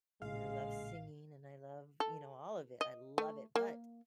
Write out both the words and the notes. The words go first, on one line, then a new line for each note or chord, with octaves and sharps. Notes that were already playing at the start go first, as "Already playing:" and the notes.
and I love singing, and I love, you know, all of it. I love it. But
A1 A#2 C#3 G#3 F5
A4
D#5
A3
A#3